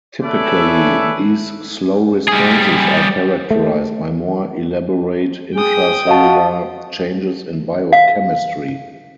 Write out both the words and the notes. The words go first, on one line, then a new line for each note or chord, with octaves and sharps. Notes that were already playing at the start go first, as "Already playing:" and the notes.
Typically these slow responses are characterized by more elaborate intracellular changes in biochemistry.
G#4 A4 B4 C#5 D5 E5
G3 G#4
A3
G#4 G5 D#6
F#4 D#5 F5 A5
F5